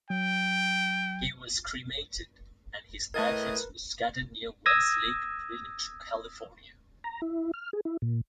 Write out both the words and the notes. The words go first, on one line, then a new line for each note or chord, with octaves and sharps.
He was cremated, and his ashes were scattered near Westlake Village, California.
F#3 G5
A2 A3 A#4 B4 D#5 G#6
D#6 E6 G#6 A#6
A#5
E4
F6
G#4
E4
A#2